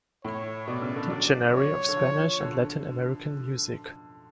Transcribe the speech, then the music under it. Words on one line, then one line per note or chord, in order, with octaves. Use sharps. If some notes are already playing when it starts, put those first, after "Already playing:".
Dictionary of Spanish and Latin American music.
A2 C#5
B2 D5
C#3
D3
F#3 D5
F#3 C#5
D3
F3
D3